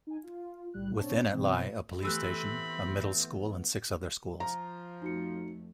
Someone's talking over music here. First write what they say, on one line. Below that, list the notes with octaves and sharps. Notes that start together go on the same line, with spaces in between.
Within it lie a police station, a middle school and six other schools.
D#4 G#5
F4
B1 A2 G3 F#6
B2 C4 D4 C#5 A5
B2 E3 C4
E3 A3 B3 C4 G4 B5 E6 F#6
F3 A#5
F2 A3 D#4 F#4 C#7